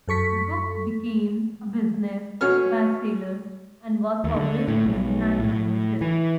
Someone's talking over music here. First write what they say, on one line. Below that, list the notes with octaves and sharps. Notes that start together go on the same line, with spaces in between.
The book became a business bestseller and was published in nine languages.
F#2 A4 C#6 B6
B2 C#4 C#5 F6
D#2
D3
A2
B1
A2
E3